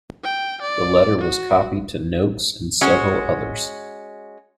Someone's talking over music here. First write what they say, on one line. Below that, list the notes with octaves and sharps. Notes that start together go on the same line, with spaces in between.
The letter was copied to Noakes and several others.
G5
D5
F#4
G#3 C#4 F#4